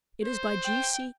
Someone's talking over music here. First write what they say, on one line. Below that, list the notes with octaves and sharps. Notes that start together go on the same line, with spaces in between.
It is by G.C.
C5
G5